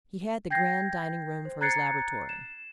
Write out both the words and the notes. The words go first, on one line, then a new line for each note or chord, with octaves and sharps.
He had the grand dining-room for his laboratory.
G5 G6 G#6 A#6 C7
C5
A#5 F#6 G#6 A6 C7 C#7
E7